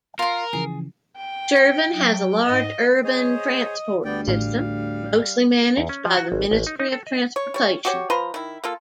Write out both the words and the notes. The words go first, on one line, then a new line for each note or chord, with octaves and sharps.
Shirvan has a large urban transport system, mostly managed by the Ministry of Transportation.
F4 A#4 C6
C#3 E3 F3 G#4
G5
F#3
G#2 D#5
G#4 C5 C#5 D#5
D2 G3 B3 D5 G5
A1 F5
E2
C#4
F3
F#4
G#1
A1
D#4
D#4
A4
D#5
C#5
G3 C#5
F#4 G4 C#5
F3 B4 A#5 C6
D#3 E4
A#3 F4 A4